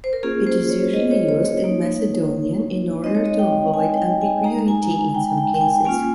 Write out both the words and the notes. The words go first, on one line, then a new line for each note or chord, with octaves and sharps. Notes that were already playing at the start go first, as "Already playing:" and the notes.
It is usually used in Macedonian in order to avoid ambiguity in some cases.
C5
A#4
A#3 C#4 F4 G#4
C5
C#5
D#5
C#5
C#5
C#5
A#3 D#4
G#3 C4 D#4 D#5
C#5
D#5
G5
G#5
G5
G#5
G#3 D#4 A#5
A#5
G#5
G#5
G5
G5
G5
G#5
A#3 C#4 F4 G#5